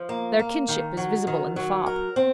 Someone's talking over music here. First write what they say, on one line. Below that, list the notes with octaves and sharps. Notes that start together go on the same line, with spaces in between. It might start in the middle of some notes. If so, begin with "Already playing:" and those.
Their kinship is visible in the fop.
Already playing: F3
A#3
A#3
D#3
F#3
D#3
F#3
A#4
C4